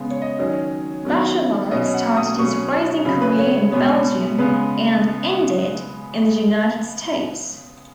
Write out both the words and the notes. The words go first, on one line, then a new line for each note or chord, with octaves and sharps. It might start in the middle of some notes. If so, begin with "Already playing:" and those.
Bachelart started his racing career in Belgium and ended in the United States.
Already playing: C#3 G#3 B3
C#5
D#5
D#3 F#3 C#4
D#3 F#3 B3
B2 F#3 C#4 D#5
F#5
D#6
B2 F#3 C#4 C#6
C#3 F#3 C#4 B5
B4
C#5
C#5
B2 G#3 B3 C#5
C#3 G#3 B3 B4